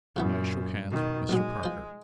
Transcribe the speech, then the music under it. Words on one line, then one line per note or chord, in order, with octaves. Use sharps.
I shook hands with Mr. Parker.
F#2 A#2 C#3 E3 B3
B2 D#3
A#1 F#3 G#3
F3 C5